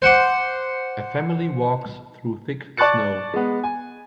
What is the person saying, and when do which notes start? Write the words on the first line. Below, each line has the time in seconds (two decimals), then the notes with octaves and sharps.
A family walks through thick snow.
0.02 C5 F#5 C6 D6
2.77 D5 A5 C#6 F#6 A6 C#7
3.34 G#3 B3
3.64 G#5